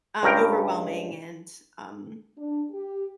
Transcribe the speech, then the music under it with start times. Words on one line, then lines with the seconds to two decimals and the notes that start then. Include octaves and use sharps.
uh, overwhelming and, um,
0.23 C#2 G2 A#4 G5
2.37 D4
2.70 G4